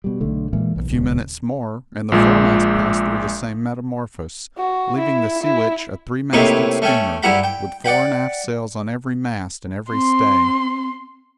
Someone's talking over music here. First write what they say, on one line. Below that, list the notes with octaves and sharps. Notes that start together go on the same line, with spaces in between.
A few minutes more, and the foremast passed through the same metamorphose, leaving the "Sea Witch" a three-masted schooner, with fore and aft sails on every mast and every stay.
B2 G3
B1 D3 A3
A#2 E3 G#3 A#3
B1
D#1 C#2
A#1 A#2 G#3
F#4
E4
E4
A2 C3 A#3 D#4 B4 C#5
A3 C#4 G5
G2 E4 G4 F#5 A#5 B5
G5
D5 F#5 G5 B5
C4 C6